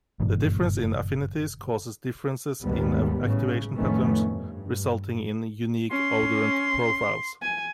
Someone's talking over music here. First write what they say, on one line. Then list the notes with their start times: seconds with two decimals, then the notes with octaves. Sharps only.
The difference in affinities causes differences in activation patterns resulting in unique odorant profiles.
0.20 F#1 G2 A#2 E3
2.63 G#1 D#2 D#3 G3 G#3 B3
3.22 A2 C#3
3.74 F2 A2 D#3 A3 B3 C#4
4.27 G2
5.91 C#4 C6
7.42 G#5